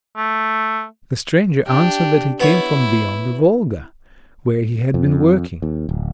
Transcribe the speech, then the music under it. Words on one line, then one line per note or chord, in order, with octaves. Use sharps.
The stranger answered that he came from beyond the Volga, where he had been working.
A3
D4 G4
B3 E4 C#5
F2
D#2
D1